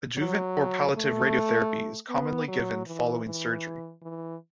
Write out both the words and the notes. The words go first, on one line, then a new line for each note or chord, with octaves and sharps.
Adjuvant or palliative radiotherapy is commonly given following surgery.
F#3
A3
B3
F#3
E3
E3
E3